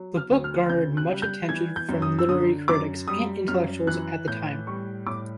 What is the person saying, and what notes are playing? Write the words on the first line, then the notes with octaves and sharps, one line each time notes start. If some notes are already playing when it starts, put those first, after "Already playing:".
This book garnered much attention from literary critics and intellectuals at the time.
Already playing: F#3
F6
D2
F6
C#3 G6
F#6
G3
G6
E3 G#6
G6
F#2
D#6
E6
D3 D#6
F#2 D6
G3 D#6
F#2 F6
E3 F#6
A2 G6
G3 C#6
A2 D6